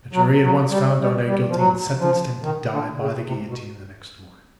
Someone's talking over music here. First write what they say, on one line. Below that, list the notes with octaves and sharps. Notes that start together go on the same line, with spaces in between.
The jury at once found Darnay guilty and sentenced him to die by the guillotine the next morning.
F#3
F#3
G3
G3
G3
F3
F#3
F3
D#3
D3
C#3
C3
B2